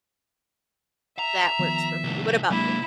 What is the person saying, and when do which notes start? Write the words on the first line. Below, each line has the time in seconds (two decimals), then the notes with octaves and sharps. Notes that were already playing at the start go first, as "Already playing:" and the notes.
that works for me, what about you?
1.19 E5 A#5
1.59 D#3 F3 B3
2.04 C2 A2
2.50 C3 F#3 G#3 A#3 D4 E4